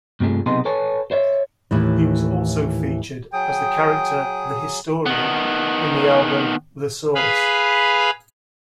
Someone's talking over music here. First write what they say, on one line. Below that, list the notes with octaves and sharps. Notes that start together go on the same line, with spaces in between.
He was also featured as the character "The Historian" in the album "The Source".
G2 C3 F3 A3 G#4
B1 C3 B3 D#4 G#4 C6
A4 B4 C#5 G#5 A5
C5 C#5 E5
D#2 A2 E3
F#3 G#4 G5 D#6
D#3 B3
G#4 B4 F5 B5